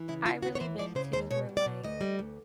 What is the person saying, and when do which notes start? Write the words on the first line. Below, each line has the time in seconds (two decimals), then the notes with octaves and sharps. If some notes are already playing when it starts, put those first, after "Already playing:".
I really been to were, like,
Already playing: E3
0.08 C#3 E4
0.25 C#3 F4
0.43 D#2 F#4
0.55 C#5
0.60 E3 C5
0.78 F3 D5
0.95 C#3 C5
1.13 D#2 C5
1.31 B2 C#5
1.49 B2
1.57 D5
1.66 B2
1.83 D2 D#5
2.01 G3
2.19 D2